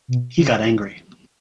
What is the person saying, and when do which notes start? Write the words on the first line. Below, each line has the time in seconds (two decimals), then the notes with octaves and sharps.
He got angry.
0.08 B2
0.37 C#3